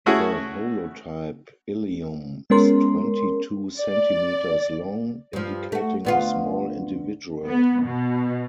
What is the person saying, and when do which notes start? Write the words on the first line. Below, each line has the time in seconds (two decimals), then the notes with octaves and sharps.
The holotype ilium is twenty-two centimetres long, indicating a small individual.
0.06 A3 C#4 E4 F#4 G#4
2.50 G#3 B3 C#4 A#4 C6
3.79 D5
5.33 G2 F3
5.72 A3 F#4
6.05 D2 B3 F4
7.49 B3
7.84 B2